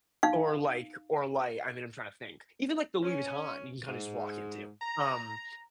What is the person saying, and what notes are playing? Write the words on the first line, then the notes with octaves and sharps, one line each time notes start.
Or like or like, I mean, I'm trying to think even, like, the Louis Vuitton, you can kind of just walk into. Um,
D#4 F5
C#4
G#2
A#5